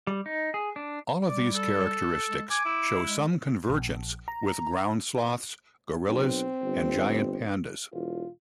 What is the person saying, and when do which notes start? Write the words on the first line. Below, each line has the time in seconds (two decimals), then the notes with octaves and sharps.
All of these characteristics show some convergence with ground sloths, gorillas and giant pandas.
0.07 G3
0.26 D#4
0.54 G#4
0.76 D4
1.28 G3 D5
1.54 A4
2.28 G#3
2.50 G#5 D6
2.65 E4
3.05 G#3
3.69 A#1
4.28 A#5
6.08 B1 C4
6.64 G1
7.93 E1 F4